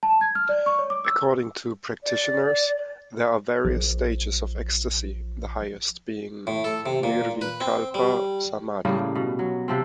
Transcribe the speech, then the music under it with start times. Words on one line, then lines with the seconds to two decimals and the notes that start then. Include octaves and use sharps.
According to practitioners, there are various stages of ecstasy, the highest being Nirvikalpa Samadhi.
0.03 A5
0.21 G#6
0.35 F6
0.49 D5
0.66 C#6
0.79 C#5
0.90 D6
1.05 E6
2.04 D5
3.65 A#1 F3
6.47 A2
6.64 A4
6.86 C3
7.03 A#2
7.41 B4
7.60 C4
7.94 G3
8.85 A2 C#3 G3 A#3
9.15 B2
9.39 F#3
9.68 C3 F3 C4